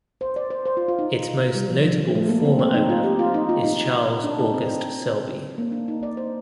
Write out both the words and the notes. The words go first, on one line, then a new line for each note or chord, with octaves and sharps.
Its most notable former owner is Charles August Selby.
C5
D5
C5
C5
F4
F4
D#4
G3
F3
F3
F3
A3
A#3
C4
C4
D#4
F4
G4
F4
D#4
F4
D#4
D4
D#4
C4
A#3
D4
D#4
D5
C5